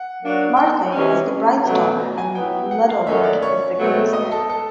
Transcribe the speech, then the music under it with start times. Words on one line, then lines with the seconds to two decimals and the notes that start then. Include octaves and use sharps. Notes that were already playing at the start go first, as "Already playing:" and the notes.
Marthe is the bride's daughter and Ludovic is the groom's nephew.
Already playing: F#5
0.22 F#3 A#3 D4 F#4
0.57 G5
0.92 C3 E3 G#3 C#4 G#5
1.64 B2 F#3 A3
2.00 A#5
2.18 G#5
2.35 F#3 B3 E4 G5
2.71 F#5
2.89 F5
3.06 F#2 D#3 F#3 A3 C#4 E5
3.24 D5
3.42 C#5
3.77 B2 F#3 A3 C4
4.13 D#5
4.32 A4
4.50 A4